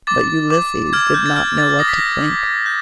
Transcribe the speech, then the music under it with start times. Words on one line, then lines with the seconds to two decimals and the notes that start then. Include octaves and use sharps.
But Ulysses did not know what to think.
0.07 D6 A6
0.50 D6
0.93 F6 G#6
1.14 G6
1.26 A6
1.36 F6 G#6
1.58 A6
1.79 D#6 A#6
1.88 B6
1.98 A#6
2.23 D#6
2.66 G6